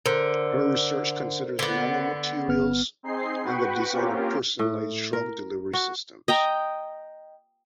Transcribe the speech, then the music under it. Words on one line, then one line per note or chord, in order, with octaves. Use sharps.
Her research considers nanomaterials and the design of personalised drug delivery systems.
D3 A#4 C5
D3 B3
G1 B3 F6
C4 D#4 G#4 C6 C7
F#4 B4 F#5 G5 B5 C#6
A#3 C4 C#4 F4 G4 A#4
A2
A#4
F#4
D#5 G5 A#5